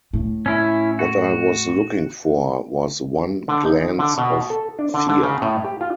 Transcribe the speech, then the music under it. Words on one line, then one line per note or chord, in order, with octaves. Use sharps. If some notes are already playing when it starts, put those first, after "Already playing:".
What I was looking for was one glance of fear.
A2
C#4 E4
F#4
D3
D#4
D3
B2
A4
D4
D3
D3
C#3
A2
G4
F4